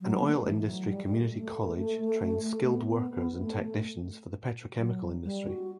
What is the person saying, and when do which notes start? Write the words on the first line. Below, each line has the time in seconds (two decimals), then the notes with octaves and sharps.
An Oil Industry Community College trains skilled workers and technicians for the petrochemical industry.
0.01 F#3
0.19 B3
0.24 A3
0.46 E3
0.69 F#3
0.92 G3
1.05 G3
1.15 A3
1.37 A3
2.74 B3
3.42 A3
4.79 F#3
5.24 G3
5.47 F#4